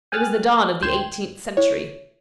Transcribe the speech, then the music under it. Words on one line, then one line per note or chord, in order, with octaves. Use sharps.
It was the dawn of the eighteenth century.
G5 G#5 D#6 F6 F#6 A6
D2 G5 C6 G#6 E7
E4 C#5